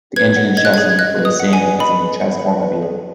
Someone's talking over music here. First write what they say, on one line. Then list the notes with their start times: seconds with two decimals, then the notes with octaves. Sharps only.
The engine and chassis were the same as in the Trasformabile.
0.16 B4 G#6
0.36 F#5
0.57 D#5 G#6
0.65 F#6
0.74 G#4 G#6
0.99 D#5 F#6
1.19 B4
1.25 D#6
1.40 F#5
1.53 G#5
1.60 B4
1.80 D#5 B5
2.01 B4
2.21 F#5
2.42 B4
2.63 B4
2.83 G#4